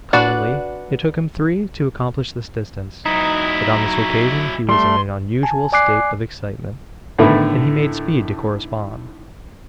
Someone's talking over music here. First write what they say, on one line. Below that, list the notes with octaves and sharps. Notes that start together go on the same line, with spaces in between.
Commonly it took him three to accomplish this distance; but on this occasion he was in an unusual state of excitement, and he made speed to correspond.
D4 F#4 B4 D5
F#3 D#4 E4
G3 A3 C6
G#5 A5
D5 G#5 D6 F#6 C7
A2 D3 D#3 A3 B3 E4